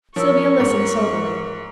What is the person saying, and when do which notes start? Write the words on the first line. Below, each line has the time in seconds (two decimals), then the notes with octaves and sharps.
Sylvia listened soberly.
0.16 F3 A#4 C#5 C#6 E6
0.60 G#2